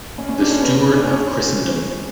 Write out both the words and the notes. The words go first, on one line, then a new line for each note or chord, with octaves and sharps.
The Steward of Christendom.
C#4
C#4
D4
C#4
B3
D4
C#4